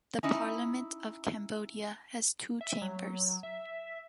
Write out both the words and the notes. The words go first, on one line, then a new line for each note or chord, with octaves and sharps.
The Parliament of Cambodia has two chambers.
C#4 D#4 E4 D#5
E5
F#3
E5